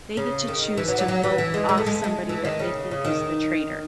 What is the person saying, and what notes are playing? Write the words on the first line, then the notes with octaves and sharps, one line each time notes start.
they get to choose to vote off somebody that they think is the traitor.
C#3
D#3
E3
F#3
F#3
F#3
E3
E3
G#3
G#3
A3
G#3
A3
G#3
E3
D#3
C#3
C#3
D#3